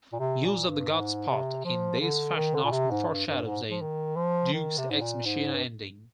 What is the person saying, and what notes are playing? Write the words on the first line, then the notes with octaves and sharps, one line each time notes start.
Use of the godspot in this fashion often foreshadows a deus ex machina ending.
A#2
C3
A#2
G2
G#2
C3
F3
D3
D#3
D3
A#2
C3
G#2
G2
G2
G#2
F3
D#3
F3
D#3
C3
G#2
A#2
G#2
G2